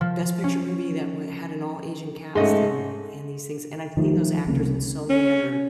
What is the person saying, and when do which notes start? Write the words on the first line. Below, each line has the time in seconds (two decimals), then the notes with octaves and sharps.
Best Picture movie that w had an all Asian cast," and and these things, and I've seen those actors in so many other
0.01 F3
0.44 C#4
2.35 G#2 A3 C#4 D#5 C6
3.97 D#3 F3 A3
4.47 C2 C#3 A#3
5.09 C#4